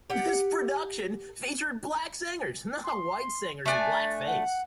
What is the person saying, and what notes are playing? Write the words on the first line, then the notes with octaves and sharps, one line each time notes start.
This production featured black singers, not white singers in blackface.
G4 F#5
C6
A3 D4 G#5 A6
F#5